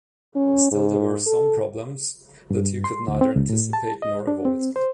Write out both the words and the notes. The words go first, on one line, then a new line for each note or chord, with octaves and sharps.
Still, there were some problems the two could neither anticipate nor avoid.
C#4
G#2
A4
G2
C6
D2
C4
C#2
A2
A5
D#5
D4
C4
C5